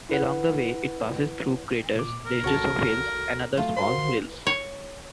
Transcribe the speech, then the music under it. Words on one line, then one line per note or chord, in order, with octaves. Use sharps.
Along the way it passes through craters, ranges of hills, and other small rilles.
E4 B4 F#5
A#2 D6
A#4
C#2 F#4 A4 C#5 A5
F#3 A3 F4
F#4 A#4 C5 C6
C#5